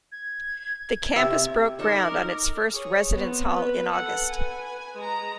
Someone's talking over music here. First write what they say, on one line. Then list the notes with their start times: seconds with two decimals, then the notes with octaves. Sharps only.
The campus broke ground on its first residence hall in August.
0.12 G#6
1.16 C3 E5
1.79 D#4 A4 A#4 C#5 D6
2.73 G#4 C#5
3.13 B3 C4
3.52 B4
3.91 A4 F#5
4.30 B4 G#5
4.96 G#3 A#5